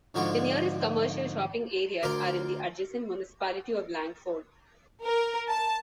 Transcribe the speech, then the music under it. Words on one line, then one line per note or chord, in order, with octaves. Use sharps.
The nearest commercial shopping areas are in the adjacent municipality of Langford.
G#2 D3 F3 F#4 C#5 D5
D2 A#4 D5 C6 D6
A#4
A5